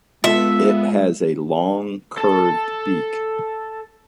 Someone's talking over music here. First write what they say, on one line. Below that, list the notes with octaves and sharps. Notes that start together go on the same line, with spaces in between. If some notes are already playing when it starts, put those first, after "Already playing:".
It has a long, curved beak.
G#3 B3 F4 A4 E5
A4 A5